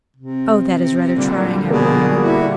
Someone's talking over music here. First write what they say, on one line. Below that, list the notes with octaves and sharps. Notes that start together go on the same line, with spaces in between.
"Oh! that is rather trying, I warn you."
C3
A#2 D3 G3
B2 A#3 G#4
E4 F#4